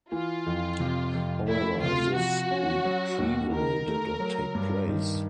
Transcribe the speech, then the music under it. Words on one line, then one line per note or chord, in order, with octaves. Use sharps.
However this retrieval did not take place.
E3 F4
F2
C3
F2
A3 E4
C3 F4
F3 F#4
C#4
F#3
D#2
D#3 A#4
A3
F#3
G2
D#3